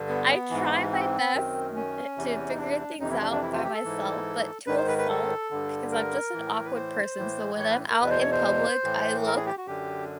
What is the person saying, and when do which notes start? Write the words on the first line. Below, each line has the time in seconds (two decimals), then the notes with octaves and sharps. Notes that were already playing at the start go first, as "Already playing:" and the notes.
I try my best n eh, to figure things out by myself, but to a fault, because I'm just an awkward person, so when I'm out in public, I look
Already playing: G2 D3
0.09 B3
0.50 G#2 E3
0.92 C4
1.34 F#2 D#3
1.76 C#4
2.17 E2 C3 E3
2.49 D#4
2.58 D4
3.00 F2 C3 E3 D#4
3.11 E4
3.21 D4
3.32 D4
3.42 E4
3.53 F4
3.58 F#4
3.63 G4
3.74 A4
3.84 G#2 E3
4.66 G#2 D#3 B4
4.77 C5
4.88 B4
4.98 B4
5.09 A4
5.51 G2 D3
5.92 A#4
6.34 A2 E3
6.65 B4
6.76 C5
7.17 A2 E3
7.59 C#5
7.70 B4
7.90 A#4
8.00 E2 B2 B4
8.10 C5
8.21 C#5
8.32 C5
8.84 A2 E3
9.26 A#4
9.36 G#4
9.46 G4
9.57 F#4
9.67 F#2 D3 G4